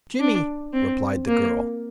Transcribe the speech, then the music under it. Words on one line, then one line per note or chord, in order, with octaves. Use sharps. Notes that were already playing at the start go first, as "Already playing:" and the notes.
"Jimmy," replied the girl.
D4
C4
A#3